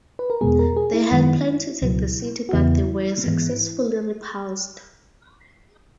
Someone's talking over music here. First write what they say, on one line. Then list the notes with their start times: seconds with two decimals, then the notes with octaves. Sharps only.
They had planned to take the city but they were successfully repulsed.
0.19 B4
0.30 A#4
0.41 E2 B2 G#3 B3 G#4
0.59 A#4
0.77 G#4
0.94 E4
1.11 F#2 D#3 G#3 B3
1.82 C#2 B2 F#3
2.49 F#4
2.53 E2 C#3 E3 B3 E4
3.24 G#2 E3 G#3 B3